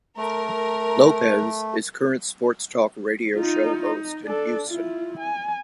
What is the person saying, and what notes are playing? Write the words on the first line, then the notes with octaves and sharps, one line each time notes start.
Lopez is a current sports talk radio show host in Houston.
A3 A#4
D#4 F4
D#4
D4 A4
E4 F4
G#5